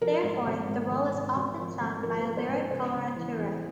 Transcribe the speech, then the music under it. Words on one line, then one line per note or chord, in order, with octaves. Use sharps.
Therefore, the role is often sung by a lyric coloratura.
F3 A#4
G#2
G#1
G#2
G#1
G#2
G#1
F3
G#1
F3 A#4
B4
F3
C5
G#2
B4
C#3 C5
C#3
E3
E2